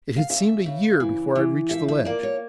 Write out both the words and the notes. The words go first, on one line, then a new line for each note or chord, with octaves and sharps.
It seemed a year before I reached the ledge.
F5
C#3 E5
C#3
E3
E3
F3 E5
E5
A#3 D5
C#5